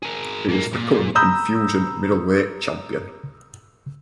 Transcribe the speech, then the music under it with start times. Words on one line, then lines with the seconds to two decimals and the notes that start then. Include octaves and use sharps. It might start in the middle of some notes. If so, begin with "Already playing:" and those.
He is the current Enfusion Middleweight Champion.
0.03 G#4 A#4
0.48 G#2 A#3
0.73 A#2
1.15 A#5 B5 D#6 E6 G6